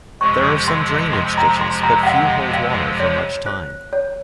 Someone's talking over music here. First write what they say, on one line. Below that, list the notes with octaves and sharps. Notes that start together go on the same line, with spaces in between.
There are some drainage ditches, but few hold water for much time.
F2 C3 F3 G#3 C#6
C6
C6
A#5
C6
A#5
F5
F#5
F5
C#5
C5
C#5